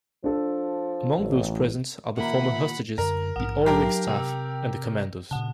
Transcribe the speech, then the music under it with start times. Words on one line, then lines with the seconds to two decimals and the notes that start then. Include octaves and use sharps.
Among those present are the former hostages, the oil rig staff and the commandos.
0.24 F3 D4 A4
1.18 A1
2.17 D#2 A#2 A#4 E5 F#5 B5
2.98 F#2 D3 A#4
3.36 A#1 G#2 F#5 F6
3.66 F#3 G4 A#4 A5 C7
4.07 C3 G5 E6
5.31 A#2 C#3 F#5 A5